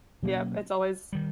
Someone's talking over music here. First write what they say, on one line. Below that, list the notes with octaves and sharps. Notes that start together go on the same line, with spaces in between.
Yep, it's always
B2 F#3 A#3 C#4
D#3 G3